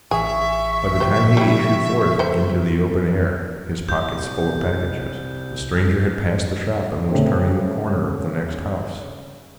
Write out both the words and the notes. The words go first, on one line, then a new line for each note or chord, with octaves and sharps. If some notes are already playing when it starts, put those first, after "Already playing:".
By the time he issued forth into the open air, his pockets full of packages, the stranger had passed the shop and was turning the corner of the next house.
A1 E3 G#4 E5 C#6
C#3 F3 B3 G4 C5
G3 E4
A3 C5
C2 G6
C#3 A3 C4